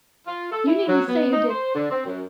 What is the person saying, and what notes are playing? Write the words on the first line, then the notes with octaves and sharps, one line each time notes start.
You needn't say you did.
F4
A4
E4
F#3
B3
D#4
C5
D3
C4
F#2